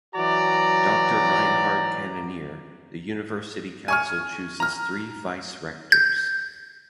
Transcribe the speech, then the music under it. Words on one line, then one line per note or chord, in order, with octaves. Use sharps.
Doctor Reinhard Kannonier, the University Council chooses three Vice-Rectors.
E3 F#3 F#4 D5 A#5
G#5 C#6 F6
A#5 F6
G6